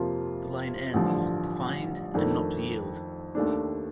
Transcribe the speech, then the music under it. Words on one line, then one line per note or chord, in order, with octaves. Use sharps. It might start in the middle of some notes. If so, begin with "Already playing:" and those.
The line ends ...to find, and not to yield.
Already playing: F2 C3 F3 A#3 F4
A1 G2 D3 F3
F2 D#3 A3 D4
D#2 D#3 A3 D4